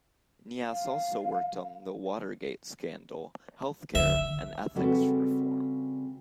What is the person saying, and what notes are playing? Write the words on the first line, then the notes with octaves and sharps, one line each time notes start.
Neas also worked on the Watergate scandal, health care, and ethics reform.
F5
D3 E5
C#3 G3 C4 F#4 A4 B4